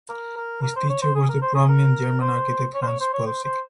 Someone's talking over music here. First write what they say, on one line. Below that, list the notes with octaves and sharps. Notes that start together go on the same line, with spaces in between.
His teacher was the prominent German architect Hans Poelzig.
A#4
A#4
A#4
C5
C#5
C5
G#4
A#4
C5
G#4
A#4
C5
C#5
C5
C#5
C5
C#5
C5
C5